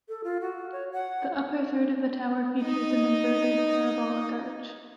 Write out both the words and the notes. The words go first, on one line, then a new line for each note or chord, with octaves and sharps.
The upper third of the tower features an inverted parabolic arch.
A4
F4
F#4
C#5
F#5
D#4 D#5